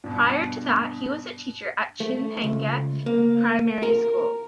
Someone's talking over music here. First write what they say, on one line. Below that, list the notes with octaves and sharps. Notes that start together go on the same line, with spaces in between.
Prior to that he was a teacher at Chinhenga primary school.
G2 B2
A3
C#2
A#3
A#4